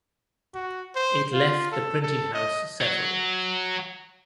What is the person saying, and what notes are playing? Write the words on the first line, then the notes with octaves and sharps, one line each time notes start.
It left the printing house several.
F#4
C5
F4
A4
A4
D#5
F#3